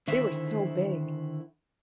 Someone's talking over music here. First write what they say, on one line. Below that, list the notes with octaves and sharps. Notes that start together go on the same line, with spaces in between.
They were so big.
D3 D#3 E4 C5 E5